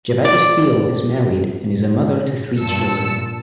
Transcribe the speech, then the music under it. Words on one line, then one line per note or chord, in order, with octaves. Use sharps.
Jevetta Steele is married and is a mother to three children.
D5
G2 A#2 A5 E6 C#7